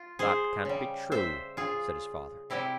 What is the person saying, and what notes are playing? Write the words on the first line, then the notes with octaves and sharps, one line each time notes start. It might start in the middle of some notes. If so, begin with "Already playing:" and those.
'That can't be true,' said his father.
Already playing: F4
G#4 C5
C#3 G3
C5 E5
F4 G#4
C3 G3 E4 G4